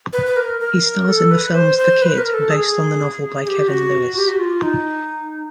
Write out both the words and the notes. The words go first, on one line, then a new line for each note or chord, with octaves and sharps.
He stars in the films "The Kid", based on the novel by Kevin Lewis.
B4
B4
A#4
A#4
A4
B4
C5
C5
B4
A#4
A4
G#4
G#4
G4
F#4
G4
F#4
F4
D#4